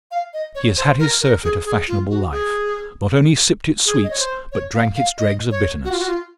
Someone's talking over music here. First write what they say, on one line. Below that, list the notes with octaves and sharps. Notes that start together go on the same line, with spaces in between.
He has had his surfeit of fashionable life; not only sipped its sweets, but drank its dregs of bitterness.
F5
D#5
C#5
C5
A#4
A#4
G#4
G#4
F4
F#4
G#4
G#4
D#5
C#5
C5
C#5
F5
F5
D#5
C#5
F#4
F4
F#4
F4